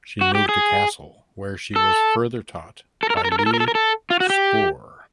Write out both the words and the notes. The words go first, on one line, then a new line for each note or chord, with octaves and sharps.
She moved to Kassel where she was further taught by Louis Spohr.
F#4
G4
G#4
A4
A4
A#4
A4
A#4
A4
A#4
A4
A#4
A4
A#4
A4
F4
F#4
G4